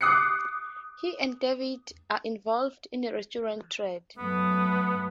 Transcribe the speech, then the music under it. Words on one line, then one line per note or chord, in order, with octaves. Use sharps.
He and David are involved in the restaurant trade.
D6 D#6 F#6 C7 C#7
F#2 A3 B3